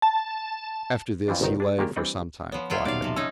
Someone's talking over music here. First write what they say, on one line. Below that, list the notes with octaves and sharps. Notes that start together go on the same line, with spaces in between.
After this, he lay for some time quiet.
A5
F2 E3 F3 D4
G1 C2 D#3 D#4 A#4
D4 G#4
D#3 G#3 A#3 D4 G4
E3 G3 C4 D4 D#5 F#5
F3 B3 C#5
F#3 E4 F4
D#1 B1 D5 F5
C3 F3
C#4 D#4 E6